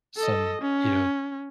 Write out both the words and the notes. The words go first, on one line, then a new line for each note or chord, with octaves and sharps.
some, you know
A4 D#5
C#4